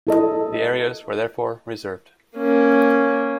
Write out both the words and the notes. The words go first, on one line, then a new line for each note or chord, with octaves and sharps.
The areas were therefore reserved.
E4 A4 D#5
A#3 C#4